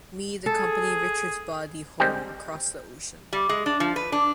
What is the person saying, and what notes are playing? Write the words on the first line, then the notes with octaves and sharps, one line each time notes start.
Mead accompanied Richards's body home across the ocean.
G#4 A4
G3 G#3 C4 G4
G3
G#3
D4
F3
B4
D4